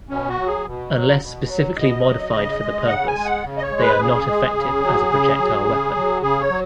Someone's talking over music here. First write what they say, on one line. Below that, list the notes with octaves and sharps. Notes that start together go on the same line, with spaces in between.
Unless specifically modified for the purpose, they are not effective as a projectile weapon.
B2 C#4
F#4
F#3
G#4
B2
F#3
B2
F#3
B2 D#5
F#3
C#3
G#3
C#3 F#5
G#5
G#3
F#5
C#3
D#5
C#5
G#3
B4
C#3 G#4
G#3
C#3
F#3
C#3
F#3
C#3
F#3
C#3 G#4
C#5
F#3